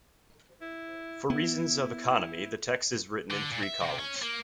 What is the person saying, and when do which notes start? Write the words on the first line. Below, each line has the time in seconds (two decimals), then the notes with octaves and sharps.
For reasons of economy, the text is written in three columns.
0.61 E4
1.30 B3 E4
3.31 D3
3.51 A#2
3.63 E5
3.81 C3
3.99 C#4
4.23 A#3